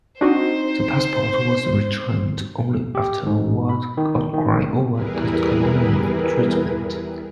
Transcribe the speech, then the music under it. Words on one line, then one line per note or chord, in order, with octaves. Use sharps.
The passport was returned only after a world outcry over Toscanini's treatment.
C4 D4 D#4 F#4 C5
G4
G#2
B5
D#3
D#3
E2 G3 E4 G#4 A#4 B4